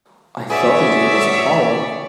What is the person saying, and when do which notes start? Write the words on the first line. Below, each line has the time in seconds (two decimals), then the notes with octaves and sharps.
I thought the name was a horror.
0.50 F#4 G#4 B4 C#5 D5 E5